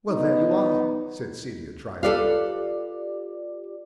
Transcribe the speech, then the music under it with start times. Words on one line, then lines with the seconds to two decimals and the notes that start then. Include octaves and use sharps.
"Well, there you are," said Celia triumphantly.
0.11 B3 D#4
2.03 F4 G4 A4 B4 D5 F5